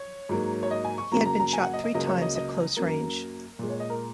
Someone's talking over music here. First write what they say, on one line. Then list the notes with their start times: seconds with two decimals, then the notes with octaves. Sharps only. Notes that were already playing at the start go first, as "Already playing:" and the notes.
He had been shot three times at close range.
Already playing: C#5
0.29 G#2 F#3 A#3
0.63 C#5
0.71 D#5
0.84 G#5
0.98 C#6
1.12 F#2 C#3 F#3 A#3 A#5
1.26 A#5
1.40 A#5
1.53 G#5
1.63 F#5
1.74 D#5
1.84 D#5
1.94 C#2 C#3 F#3 A#3 D#5
2.08 C#5
2.22 D#5
2.35 D#5
2.77 F#2 F#3 A#3 A#4
3.59 A#2 G#3
3.70 C#5
3.80 D#5
3.90 A#4